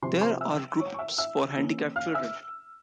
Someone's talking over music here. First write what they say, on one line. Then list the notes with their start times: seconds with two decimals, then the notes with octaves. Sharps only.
There are groups for handicapped children.
0.02 C3 F3 C4 C5 C6
0.21 C5 C6
0.41 E5 E6
0.80 C#5 C#6
0.94 C#6
0.99 E5 E6
1.18 E5 E6
1.57 E3 A#3 C#4
1.96 F5 F6
2.15 E5 E6